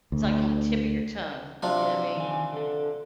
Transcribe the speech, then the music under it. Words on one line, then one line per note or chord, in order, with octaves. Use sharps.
it's, like, on the tip of your tongue, you know I mean?
D2
C3 F3 F#3 D4
D#3 G#5
D3 A4